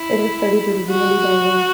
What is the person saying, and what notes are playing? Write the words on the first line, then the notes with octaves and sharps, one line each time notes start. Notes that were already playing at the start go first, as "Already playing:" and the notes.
It was studied originally by him.
Already playing: E4
F#4